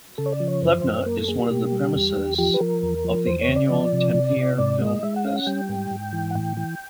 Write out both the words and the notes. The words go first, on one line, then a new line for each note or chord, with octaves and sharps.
Plevna is one of the premises of the annual Tampere Film Festival.
C#3 A4
C#5
D5
F3
C#5
F#2 C5
F#2
A#3 A#4
A4
A#3 G#4
G4
B2 G4
G3
E2
E2
F3 G4
B4
F3 A#4
E2
F3
E2 C5
C#5
C#3
D5
F3
C3
C3
C3
G#2 D5
G#3 D#5
G#3 E5
F#5
C#4 F5
F#5
G3 G5
G#2
G#2
E3
F#5
A2 G5
E3